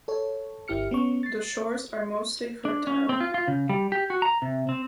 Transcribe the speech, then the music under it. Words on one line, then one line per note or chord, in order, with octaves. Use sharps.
The shores are mostly fertile.
A4 C#5
G1 E4 G4 F6 C#7
B3 C#4 C#6
A6 C7
D4
C#4
C4
F4
F4
C#3
G3
G4
F#4
A#5
C3
C4